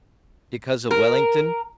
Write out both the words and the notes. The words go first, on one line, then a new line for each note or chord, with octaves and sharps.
Because of Wellington?
A#4